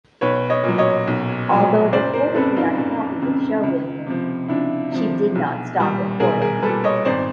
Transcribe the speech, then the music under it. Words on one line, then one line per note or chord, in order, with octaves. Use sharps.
Although reportedly unhappy with show business, she did not stop recording.
B1 B4 C#5
C#5 D#5
A#2 F#3
C#5 D#5
B1
A#2 F#3
F#1 C5 D5
A#4 C5
F2 C#3 A4 B4
D#4 F4
F#1
F2 C#3
C#2
C3 F3
C#2 D4 E4
C3 F3
B1
A#2 G3
B1 G#4 A#4
G#4 A#4
A#2 G3 A4 B4
C#5 D#5
G#1 C5 D5